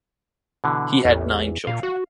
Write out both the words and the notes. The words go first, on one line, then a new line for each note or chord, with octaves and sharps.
He had nine children.
B2 D3 E3
A1 E2
A#2 F5
F#4